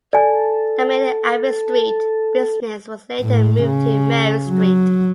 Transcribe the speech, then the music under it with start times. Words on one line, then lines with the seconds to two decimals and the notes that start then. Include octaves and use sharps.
The Middle Abbey Street business was later moved to Mary Street.
0.13 A4 D5 G#5
3.21 A2
3.63 C#3
4.49 F#3